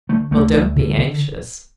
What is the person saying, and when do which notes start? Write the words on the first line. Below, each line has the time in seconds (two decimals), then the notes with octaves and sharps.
Well, don't be anxious.
0.09 D3 A3
0.31 D2 A3
0.54 D2
0.76 D3
0.98 D3